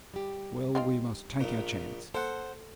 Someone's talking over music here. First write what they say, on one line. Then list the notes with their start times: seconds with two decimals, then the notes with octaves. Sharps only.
'Well, we must take our chance.
0.14 G3 G4
0.75 C4 D#4 F4
1.41 A#1 A#2
2.14 A#3 A4 C5 F#5